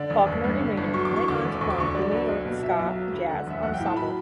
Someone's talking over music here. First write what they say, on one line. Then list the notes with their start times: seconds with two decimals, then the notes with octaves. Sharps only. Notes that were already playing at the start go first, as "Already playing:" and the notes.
Faulkner and Reiter went on to form the New York Ska Jazz Ensemble.
Already playing: D3 D5
0.10 E1
0.27 G1
0.44 G2
0.60 D3
0.77 G1
0.94 F#3 C#6
1.05 D6
1.11 E2
1.16 C#6
1.28 D3 D6
1.45 E1
1.61 D2 C#6
1.70 D6
1.78 D3 C#6
1.95 F#3 D5
2.12 D2
2.29 B1
2.45 B2
2.63 F#3 E5
2.79 B1
2.95 F#3
3.13 D2
3.29 D3 F#5
3.47 E1 E5
3.63 B1 F#5
3.74 G5
3.80 A2
3.86 A5
3.97 F#3 B5